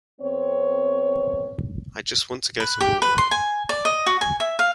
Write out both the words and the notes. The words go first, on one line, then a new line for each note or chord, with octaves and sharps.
I just want to go to Wal-Mart.
F2 B3 C4 C#5
B4
G4
B4
C6
G#5
D5
D#5
F#4
G#5
E5
F5